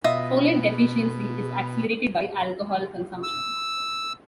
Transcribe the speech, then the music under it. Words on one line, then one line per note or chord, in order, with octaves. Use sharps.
Folate deficiency is accelerated by alcohol consumption.
B2 F4 D#5 E5
E6